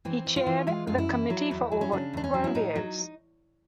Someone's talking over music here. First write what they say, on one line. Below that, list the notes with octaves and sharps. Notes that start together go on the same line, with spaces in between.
He chaired the committee for over twelve years.
E3 C4
E3
F4
E3
G#3 F4
F#2 F4
E4
E3
F#3
E2
F#3
C#4
C#3 D4
E2 D4
C#4
F#3
E4
A2 D#4
F#3